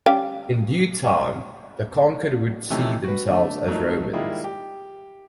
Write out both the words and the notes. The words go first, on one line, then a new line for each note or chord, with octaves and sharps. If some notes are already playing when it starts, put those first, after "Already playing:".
In due time, the conquered would see themselves as Romans.
G3 C#4 F5
C3 E3 F3 A3 C#4 D#4
F#4 B4
D3 A3
F3 F#3 A3 A#3 D#4
D#3 G3 G#3 A#3 E4 F4
G4